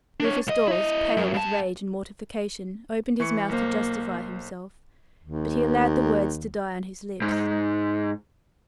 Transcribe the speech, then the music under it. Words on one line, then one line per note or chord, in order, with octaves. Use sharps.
Rufus Dawes, pale with rage and mortification, opened his mouth to justify himself, but he allowed the words to die on his lips.
D4 C#5
C2 D#5
E4 D#5
F#2
G2 A5
E3 C#6 C#7
B1 A#3 C5
D#2
G#2